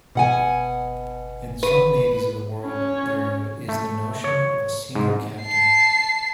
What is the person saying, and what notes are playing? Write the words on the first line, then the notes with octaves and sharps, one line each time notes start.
In some navies of the world, there is the notion of a senior captain.
B2 F#5 G#5
B4
C#4 C#5
A3
C#5
G#2
A5 C7